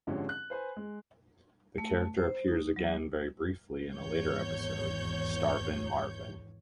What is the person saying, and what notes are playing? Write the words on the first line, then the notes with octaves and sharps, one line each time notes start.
The character appears again very briefly in a later episode, Starvin' Marvin.
G#1 D3 F3 G#3 C#4 G4
F#6
B4 C5 G#5
G#3
A3
C5
D#4
F#3
G#1 E2 C#5 G6